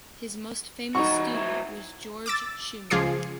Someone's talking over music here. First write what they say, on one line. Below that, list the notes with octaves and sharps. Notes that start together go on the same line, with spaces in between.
His most famous student was Georg Schumann.
E3 D#4 F#4 C#6
F#3 E4
D6 E6 A6
C#2 F3 F4 G#4 D6 C7